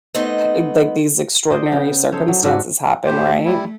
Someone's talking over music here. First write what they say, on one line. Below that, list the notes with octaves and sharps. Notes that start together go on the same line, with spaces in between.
eh, g like, these extraordinary circumstances happen, right?
A3 B3 C4 D#4 D#5
C5 D5 D#5
C#3 B3 G5
D#4 A4 C5 C#5
F#3
G#2 D4 E4 F#4
A2 A3 G4 C5
G3 E4